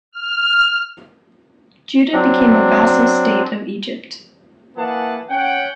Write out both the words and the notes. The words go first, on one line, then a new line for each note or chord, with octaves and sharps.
Judah became a vassal state of Egypt.
F6
F#3 C4 D4
E3 A#3 G#4 B4 F#5 A5
C#4 F#5 G5